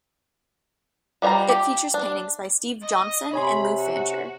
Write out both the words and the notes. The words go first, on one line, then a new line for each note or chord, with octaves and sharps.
It features paintings by Steve Johnson and Lou Fancher.
G3 F4 C#5 G5 A#5
G4
D4
D#5
C3 C#5 G#5 B5 C6
F#4